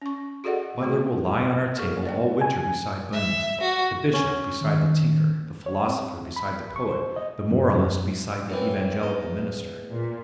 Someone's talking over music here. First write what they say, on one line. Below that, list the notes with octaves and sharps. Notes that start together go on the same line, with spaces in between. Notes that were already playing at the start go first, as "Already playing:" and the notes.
Butler will lie on our table all winter beside Bunyan; the bishop beside the tinker, the philosopher beside the poet, the moralist beside the evangelical minister.
C#4 C#6
F#4 G#4 A4 D5 D#5 F#5
A3 C4 F#4 G#4
A#3 G#4 A#4 C#6
D5 D#5 G5
G#5
E5
F#4
C#4
D#3
C#5
C4
B5
C#6
C5
D#5
F#2
F#2
F#2 E3 C4
E2 D#5
A#2